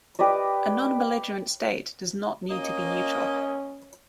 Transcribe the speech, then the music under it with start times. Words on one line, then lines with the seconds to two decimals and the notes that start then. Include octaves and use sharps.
A non-belligerent state does not need to be neutral.
0.19 G4 B4 D5 D#5
2.50 A#3 C#4 D#5